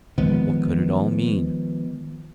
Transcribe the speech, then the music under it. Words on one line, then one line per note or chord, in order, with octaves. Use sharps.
What could it all mean?
D#3 F3 G#3 B3